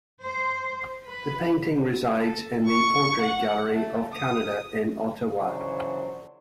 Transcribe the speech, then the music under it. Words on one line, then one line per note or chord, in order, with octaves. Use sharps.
The painting resides in the Portrait Gallery of Canada in Ottawa.
C5
B4
A4
C#6
F#5
A3
D#6
A#1 C#3 E3 F#3 D4 C5